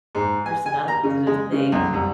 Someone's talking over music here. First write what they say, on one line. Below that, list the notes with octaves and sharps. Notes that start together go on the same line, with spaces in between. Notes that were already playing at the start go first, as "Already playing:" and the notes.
person, not a positive thing.
G#2
G#5
G#5
A#5
C#3
G#3
C#3
B1
C2